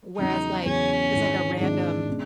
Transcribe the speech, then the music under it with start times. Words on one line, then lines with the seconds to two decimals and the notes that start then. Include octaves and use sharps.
Whereas like, it's like a random
0.18 E2 C#3 F#3 B3 D#4
0.66 E2 C#3 F#3 B3 C#4
1.13 G#2 D#3 G#3 C4 E4
1.60 G#2 D#3 G#3 C4 D4 E4
2.08 B2 G#3 C#4